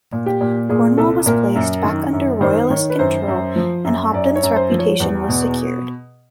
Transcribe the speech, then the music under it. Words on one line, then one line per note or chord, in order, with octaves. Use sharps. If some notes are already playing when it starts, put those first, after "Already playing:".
Cornwall was placed back under Royalist control and Hopton's reputation was secured.
A#2
G4
A#2
A#2 G#4
C2 A4
A#2 A#4
F#2
D#3
F#2
D#3 C5
D#3 C#5
B4
F#2 C5
F#2
F3
F#2
F#2 D5
C#5
F#2
C5
F3
C#5
E2
B2